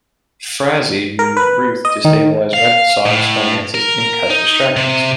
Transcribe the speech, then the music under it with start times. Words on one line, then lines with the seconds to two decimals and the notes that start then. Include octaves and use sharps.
Frazee moved Ruth to stabilize Red Sox finances and cut distractions.
1.19 A#4
1.37 B4
1.85 D#5
2.05 D#3
2.53 F5
3.06 A2
3.74 A#4
4.30 D#4
4.77 C3